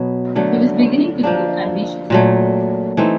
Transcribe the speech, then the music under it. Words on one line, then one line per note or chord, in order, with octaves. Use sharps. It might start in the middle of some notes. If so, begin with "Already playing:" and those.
He was beginning to grow ambitious.
Already playing: B2 F#3 B3
D3 F#3 A3
F3 A#3 D4
A#2 F#3 A3
E3 A3 C4 D#4